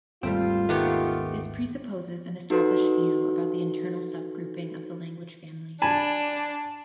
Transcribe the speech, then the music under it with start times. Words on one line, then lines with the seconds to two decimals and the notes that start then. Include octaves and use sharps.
This presupposes an established view about the internal subgrouping of the language family.
0.23 G#1 D#2 G3 A3 C4 F4
0.69 D#3 A3 B3 D#4 G4
2.50 D#4 F#4 A4 B4
5.82 D4 G#5 A5 B5